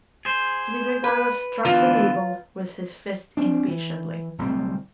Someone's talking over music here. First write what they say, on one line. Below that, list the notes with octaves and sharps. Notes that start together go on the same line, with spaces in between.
Svidrigailov struck the table with his fist impatiently.
G#4 C5
B4
D3 E3 B3 F4
C4 D4
E3
D1 C2 A2 C4